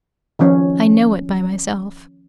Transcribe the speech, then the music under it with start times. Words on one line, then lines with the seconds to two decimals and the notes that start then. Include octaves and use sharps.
I know it by myself.
0.39 D#3 F3 C#4